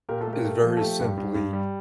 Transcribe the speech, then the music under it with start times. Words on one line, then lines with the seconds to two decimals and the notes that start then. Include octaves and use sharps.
is very simply,
0.09 A#2 G4 A#4
0.21 F4 A4
0.27 A3
0.33 G4 A#4
0.45 A3
0.63 F3
0.77 A4
0.81 A3 G4
1.00 G2
1.17 G2
1.35 G2
1.53 G3